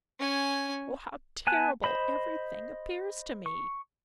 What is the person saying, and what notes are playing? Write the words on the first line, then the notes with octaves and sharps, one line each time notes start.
O how terrible every thing appears to me!
C#4 G#5
B3 G#5 A5 F#6
C5 D#5 B5
C#6